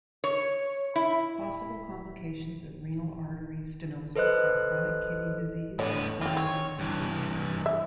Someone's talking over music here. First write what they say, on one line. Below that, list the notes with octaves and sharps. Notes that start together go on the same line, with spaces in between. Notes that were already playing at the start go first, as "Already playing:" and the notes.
Possible complications of renal artery stenosis are chronic kidney disease and coronary artery disease.
C#5
E4
A4 B4 C5 D#5 F#6
A2 D3 B3 C#5
F#2 E3 C4 F4
C4 C#5
G2 E3
E5